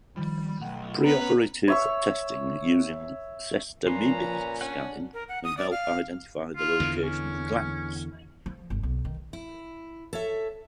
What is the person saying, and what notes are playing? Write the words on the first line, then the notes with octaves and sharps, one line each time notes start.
Preoperative testing using sestamibi scanning can help identify the location of glands.
D#3 F3 G3
B1 A3 F#5 G5
B3 C#4 B4 A#5
C#5 E5 C#6
A#2 F3 C#4 B4 A#5 C6
C#4 D4 F#5
A#4
F#5
D#6
D5
F5
F4
E2 D3 E3
C#4
F3
G1
B1
D#3
E4
A4 C#5 E5